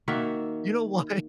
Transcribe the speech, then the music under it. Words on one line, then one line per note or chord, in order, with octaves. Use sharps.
You know what?
D#3 A#3 F#4 E5